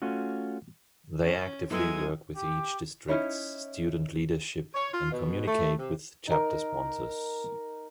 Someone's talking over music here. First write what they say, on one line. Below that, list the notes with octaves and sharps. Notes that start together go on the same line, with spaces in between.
They actively work with each district's student leadership and communicate with chapter sponsors.
A3 C#4 F4 F#4
C#4
F#3 G#3 B3 E4 A4 G#5
G4
C#4 D#4 E4 C#5
C#5
F4
B2
A3
C3
D#4 A#4